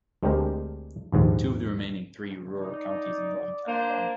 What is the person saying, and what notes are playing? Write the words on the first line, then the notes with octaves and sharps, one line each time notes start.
Two of the remaining three are rural counties in Northern California.
D2 G#3 C4 D4 G4 A#4
A#1 D#2 G#2
D#4 D5
A#3 D4 C5